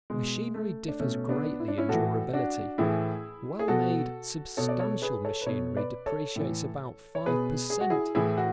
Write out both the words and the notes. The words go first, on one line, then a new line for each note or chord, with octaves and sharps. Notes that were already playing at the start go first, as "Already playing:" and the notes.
Machinery differs greatly in durability; well-made, substantial machinery depreciates about five per cent.
B2 G#3
A3
D4
B2 A3 C#4
B3 D4
E4
D4
C#4 E4
A2 E3 F#4 A4
D4 F#4
A2 E3 E4 G#4
G#4
B2 F#4 A4
B2 A4 C#5
D5
A4 C#5
G#4 B4
A4 C#5
B4
B2 A4 C#5
B4 D5
A4 C#5
A2 E3
C#5
B2 G#4 B4
G#4
F#4
E4 G#4
A2 E3 E4 G#4
F#4